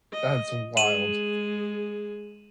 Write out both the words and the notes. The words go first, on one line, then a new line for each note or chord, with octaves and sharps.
That's wild.
D#5
G#3 G#4 D#7 E7 F#7